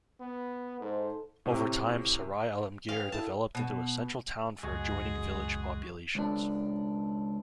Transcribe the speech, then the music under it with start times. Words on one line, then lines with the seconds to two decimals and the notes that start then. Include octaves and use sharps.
Over time, Sarai Alamgir developed into a central town for adjoining village populations.
0.20 B3
0.81 G#2 D#4 A4 C5
1.46 A2 C3
2.89 C#4 G#4 B4 F5 G5
3.12 E4 A4 A5
3.55 B2
4.63 C#2 F#2 F3 G#3 F#4 G#4 G#5
6.15 C#2 D4